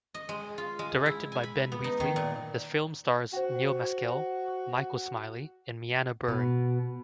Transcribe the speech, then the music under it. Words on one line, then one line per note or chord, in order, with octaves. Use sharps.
Directed by Ben Wheatley, the film stars Neil Maskell, Michael Smiley and MyAnna Buring.
D#5
G#3
F4
G#3
E4
G#5
B5
B3
D#4
D#3
A#2
F#4 C5 G5
B2